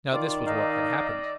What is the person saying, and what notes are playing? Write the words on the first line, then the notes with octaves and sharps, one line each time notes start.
Now this was what had happened.
D#3 F4 D5 D6
D#4 D#5 F5 E6